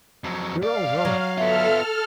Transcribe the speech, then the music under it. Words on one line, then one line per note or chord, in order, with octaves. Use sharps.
You're all wrong!
F2 F#3
G2 D5 F5
F#3
B3 F4 A4 E5 F6